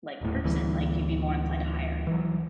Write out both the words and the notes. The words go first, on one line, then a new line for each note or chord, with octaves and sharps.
like, person, like, you'd be more inclined to hire.
D#1 A2
D1 D2 E3 G3
E3 F#3